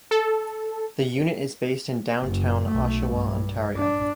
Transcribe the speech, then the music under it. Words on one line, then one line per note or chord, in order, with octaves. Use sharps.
The unit is based in downtown Oshawa, Ontario.
A4
F#1
B1 A3
G2
D4